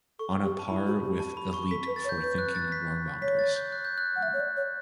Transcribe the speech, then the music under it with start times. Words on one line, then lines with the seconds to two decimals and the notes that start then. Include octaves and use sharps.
On a par with "Elite" for thinking warmongers.
0.19 A4 C#6
0.44 G4
0.59 A5
0.70 E4 B5
0.87 F#4
1.04 G4
1.20 A5
1.37 B5
1.54 C#6
1.71 A4 B6
1.84 B4 B6
1.96 A6
2.04 C#5
2.09 G6
2.22 B4
2.38 F#6
2.55 A6
2.72 B6
3.22 C#5 B6
3.39 A6
3.56 G6
3.72 F#6
3.85 G6
3.98 F#6
4.16 F#5
4.22 E5 F#6
4.33 C#5
4.40 D5
4.57 C#5